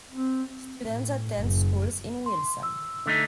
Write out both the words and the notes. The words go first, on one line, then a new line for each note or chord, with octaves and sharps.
Students attend schools in Wilson.
C4
A2
F#1
C6
E6
D3 A3 D#4